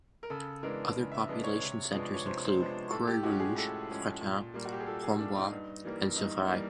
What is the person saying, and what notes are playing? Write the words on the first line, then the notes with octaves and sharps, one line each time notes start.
Other population centers include: Croix Rouge, Fratin, Huombois, and Sivry.
A#4
C#3 A4
E3 G#3 B3 D4 A#4
C#3
E5
E3 G#3 B3 D4 D#5
C#5
C3
F3 G#3 B3 D4 D#5
D5
C#5
C3 C5
C5
F3 G#3 B3 D4
A2 A4
G4
F3 G#3 C#4 F#4
G4
G#4
A2 A4
F3 G#3 C#4
A#2
G3 A#3
F#4
G4
G#4
A#2 A4
G#4
G3 A#3 D4
D#4
G2
E3 G3 A#3
G2 D#4
E3 G3 A#3